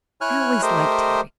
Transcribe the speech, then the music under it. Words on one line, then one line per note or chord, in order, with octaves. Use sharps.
I always liked Terry.
E4 C#5 G#5 F6 F#6
A3 G4 A#4 C5 D#5